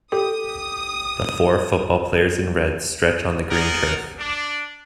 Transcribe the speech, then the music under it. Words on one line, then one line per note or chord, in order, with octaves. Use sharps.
The four football players in red stretch on the green turf.
G4 A4 D#6
D#4 G#4 A#4 D5 F#5
D4